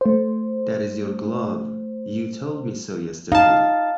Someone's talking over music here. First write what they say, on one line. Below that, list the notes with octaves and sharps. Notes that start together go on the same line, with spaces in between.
That is your glove; you told me so yesterday.
A3 C5
D#4 F5 A5